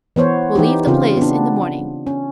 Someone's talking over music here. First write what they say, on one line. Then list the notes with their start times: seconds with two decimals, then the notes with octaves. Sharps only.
We'll leave the place in the morning.
0.16 E3 B3 C5 C#5
0.55 E3 D#4 G4
0.87 C#3 C4 F4
1.17 B3 D4
2.07 C#4